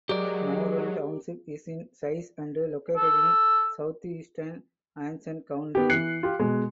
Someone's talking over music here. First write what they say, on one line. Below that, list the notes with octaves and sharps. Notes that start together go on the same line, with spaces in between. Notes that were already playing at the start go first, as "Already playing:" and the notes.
Morven Township is in size and located in southeastern Anson County.
F#3 G#3 G4 A#4 D5
A4
B3 G4
E3 F#6 C7 C#7
F4 G4
B2 G#3